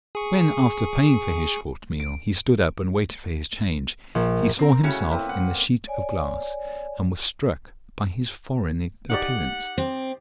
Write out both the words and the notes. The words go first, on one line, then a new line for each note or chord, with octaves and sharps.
When, after paying for his short meal, he stood up and waited for his change, he saw himself in the sheet of glass, and was struck by his foreign appearance.
G#4 C#6
D7
A#1
C4 A#4
A2 C#3 C#4 E4 F#4
A#3 C4 E4 B4
F#5
C#5 D5 G#5
D#4 G4 D5 F#5
C4